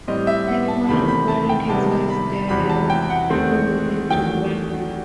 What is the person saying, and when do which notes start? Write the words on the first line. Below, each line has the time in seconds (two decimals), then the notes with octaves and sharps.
Neumann married his wife Diane before moving to Granby.
0.08 A2 G3 C4 D#5
0.27 E5
0.47 F#5
0.68 A5
0.88 E2 C3 D#3 A3 C4 B5
1.08 B5
1.28 A5
1.49 G5
1.69 C3 D#3 G3 B3 A5
2.10 B5
2.49 E2 C3 F#3 B5
2.69 A5
2.90 G5
3.10 F#5
3.30 E2 D#3 A3 C4
4.10 E2 D#3 F#3 A3 G5